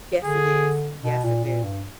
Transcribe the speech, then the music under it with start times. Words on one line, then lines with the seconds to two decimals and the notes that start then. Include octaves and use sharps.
Yes, it is. Yes, it is.
0.23 D3 G#4
1.03 B2
1.24 A#2
1.44 A#2
1.64 G2